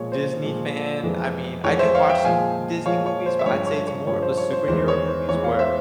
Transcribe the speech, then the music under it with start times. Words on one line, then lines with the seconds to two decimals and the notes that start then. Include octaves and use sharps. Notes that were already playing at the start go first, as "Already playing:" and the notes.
Disney fan, I mean, I do watch some Disney movies, but I'd say it's more of the superhero movies, where
Already playing: A#2 F3 G#3 C#5
0.12 C5
0.43 A#2 F3 G#3
1.03 F2 E3 G#3
1.64 F2 E3 G#3 C#5
1.79 C5 E5
1.95 C#5 F5
2.09 E5 G5
2.25 A#2 F3 G#3 F5 G#5
2.86 A#2 F3 G#3 C#5 F5
3.06 C#5
3.26 C5
3.39 E5
3.46 G2 F3 G#3 C#5
3.66 C#5
3.87 C#5
4.07 G2 F3 G#3 C#5
4.22 C5
4.37 C#5
4.53 C5
4.68 E2 E3 G#3 C5
4.88 C#5
5.08 C5
5.28 E2 E3 G#3 C#5
5.44 C#5 F5
5.59 C5 E5